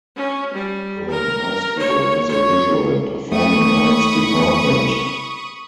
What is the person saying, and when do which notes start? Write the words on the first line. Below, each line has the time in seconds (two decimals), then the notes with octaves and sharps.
Lincoln High School has a Visual and Performing Arts Department.
0.16 C#4
0.54 G3
1.10 A#4
1.79 C#5
2.29 C#5
3.32 A3 B5 C#6 D#6